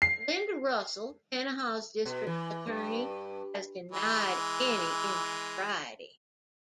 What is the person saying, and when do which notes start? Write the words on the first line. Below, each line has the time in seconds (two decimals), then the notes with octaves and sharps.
Lynda Russell, Tenaha's district attorney, has denied any impropriety.
0.02 C7
2.05 B2
2.27 E3
2.67 G2
3.92 E3 G#3